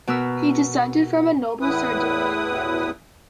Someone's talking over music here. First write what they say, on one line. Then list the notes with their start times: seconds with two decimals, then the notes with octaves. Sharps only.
He descended from a noble Sardinian family.
0.07 B2 B3 A#4 E6
1.61 E2 A2 E4 B4 D#6